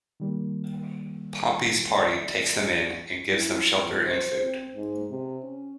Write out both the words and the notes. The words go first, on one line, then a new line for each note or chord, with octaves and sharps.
Pompey's party takes them in and gives them shelter and food.
D#3 G3 A#3
D5 E5
E4
F2
C5
C4
G#2
C3
C#4